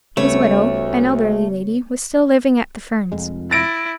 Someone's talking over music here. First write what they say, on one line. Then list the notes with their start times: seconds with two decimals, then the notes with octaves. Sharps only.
His widow, an elderly lady, was still living at the Ferns.
0.17 D2 C#3 G3 A3 B3 C#5
3.12 F1 F2 G#3
3.51 E4 A6 A#6 D7